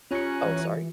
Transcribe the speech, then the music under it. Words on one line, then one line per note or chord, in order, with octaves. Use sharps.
Oh, sorry?
C#4 F4 G4 G#5 A#5 F#6 C#7
E3